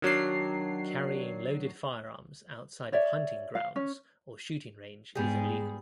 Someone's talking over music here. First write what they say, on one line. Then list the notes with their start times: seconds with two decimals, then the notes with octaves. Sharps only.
Carrying loaded firearms outside of hunting grounds or shooting range is illegal.
0.02 D#3 F#3 D4 C7
2.92 C#5 D5 E5
3.55 F5
3.76 C#4
5.15 G#2 G3 B3 G4 G#4